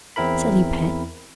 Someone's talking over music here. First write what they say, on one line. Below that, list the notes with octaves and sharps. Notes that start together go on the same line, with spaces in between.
Silly pet!
E2 C4 E4 A#4 B5